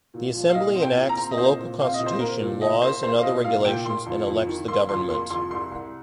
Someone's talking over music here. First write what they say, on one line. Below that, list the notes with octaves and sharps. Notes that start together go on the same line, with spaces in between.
The Assembly enacts the local Constitution, laws and other regulations and elects the Government.
A#2
F3
F5
A#2 D#5
C4
G5
A#2
A#5
C4
D#5
A#2 C5
A#2
C4 F5
D#5
A#2
C5
A#3 A#4
A#2
A#2 D#5
A#3 C5
A#3 C5
F5
A#2 D#5
A#2 F5
A#2 G5
A#3 C6
F2
F2
D#3
A#3 C6
F2 C6
A#3 C6
F2 C6
C2 C6
C2